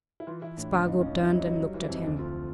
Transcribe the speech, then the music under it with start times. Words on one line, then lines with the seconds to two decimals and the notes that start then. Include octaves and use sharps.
Spargo turned and looked at him.
0.20 E4
0.27 E3 F4
0.42 E3 E4
0.57 A2 D4
0.71 C#2 D4
0.86 C#2 D#4
1.01 C#2 C#4
1.16 F2 D4
1.23 E4
1.31 F#3 D#4
1.45 F#3 D#4
1.61 G3
1.74 E3
1.81 E4
1.89 F2 D#4
2.04 D2 D4
2.19 D2 F4